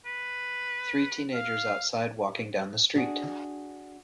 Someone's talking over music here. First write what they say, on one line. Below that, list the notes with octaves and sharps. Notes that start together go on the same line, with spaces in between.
Three teenagers outside walking down the street.
B4
F5
D4 F#4 G#4